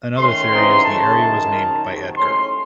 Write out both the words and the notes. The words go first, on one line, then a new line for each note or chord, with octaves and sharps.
Another theory is the area was named by Edgar.
D#3 A3 C#4 C6
C#3 E3 C4 D#4
C#3 E3 A3 C#4 A5
F#2 D#3 G#3
F#2 D#3 F#3
C3 D#3 F#3 A5
A2 G#3 C#4 C6